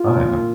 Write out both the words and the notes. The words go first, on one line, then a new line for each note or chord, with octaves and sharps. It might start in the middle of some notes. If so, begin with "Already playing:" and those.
Oh, yeah.
Already playing: F4
A#2